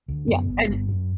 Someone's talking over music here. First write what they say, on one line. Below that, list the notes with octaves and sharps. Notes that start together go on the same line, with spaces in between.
Yeah, and
D2
F#2 B3
G1
G1
F#2